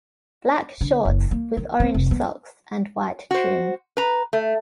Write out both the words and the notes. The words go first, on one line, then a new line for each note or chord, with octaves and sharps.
Black shorts with orange socks and white trim.
D3
F#1
A#3
D#3
C4
F1
B3
F#4 C5
B4 A#5
A3